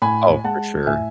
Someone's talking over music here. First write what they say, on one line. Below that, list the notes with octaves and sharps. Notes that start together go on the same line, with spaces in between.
Oh, for sure.
A2 G#5 B5
G#3 F#5 A5
A2 E5 G#5